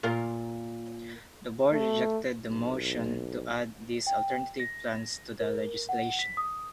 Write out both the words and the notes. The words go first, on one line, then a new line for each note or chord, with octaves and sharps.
The Board rejected the motion to add these alternative plans to the legislation.
A#2 F4 A#4
A3
B1
G5
A#6
A#4
F#5
B6
D#6